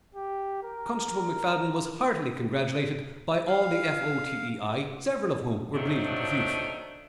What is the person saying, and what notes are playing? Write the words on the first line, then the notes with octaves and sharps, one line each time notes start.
Constable MacFadden was heartily congratulated by all the F.O.T.E.I., several of whom were bleeding profusely.
G4
A#4
F5
D#3 F3 F#3 A3 D4 D#4